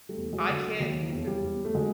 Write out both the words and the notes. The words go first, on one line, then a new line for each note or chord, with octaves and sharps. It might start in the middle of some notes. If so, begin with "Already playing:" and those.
I can't even
G3 A3
E1
F#3 G#3
D3
F#3
D#2 F#3
E1
G3
E1
A3
D3 F#3 G#3